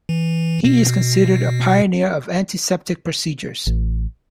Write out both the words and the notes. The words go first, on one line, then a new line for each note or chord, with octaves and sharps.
He is considered a pioneer of antiseptic procedures.
E3
B2
A1